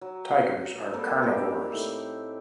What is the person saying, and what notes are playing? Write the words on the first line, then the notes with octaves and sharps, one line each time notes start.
Tigers are carnivores.
F#3
G3 A#3 C4 A4
D#4 G4 G5
A2